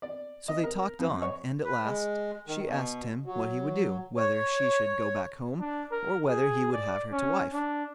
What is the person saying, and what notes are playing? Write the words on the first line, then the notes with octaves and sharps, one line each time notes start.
So they talked on, and at last she asked him what he would do; whether she should go back home, or whether he would have her to wife.
D5
D#5
A#4
F2
C#5
B4
G#3
D#3
B2
F#3
C#5
D4
A#4
G#4
D5
C#4
D4